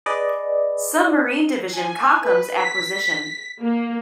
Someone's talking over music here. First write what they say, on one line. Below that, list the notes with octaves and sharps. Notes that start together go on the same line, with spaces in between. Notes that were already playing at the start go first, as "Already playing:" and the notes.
Submarine division Kockums acquisition.
G#4 B4 D5 D#5
G#5
B4
B6
A#3